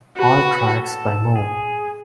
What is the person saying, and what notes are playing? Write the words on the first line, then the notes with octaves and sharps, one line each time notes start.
All tracks by moe.
F#4 B4
A4
G#4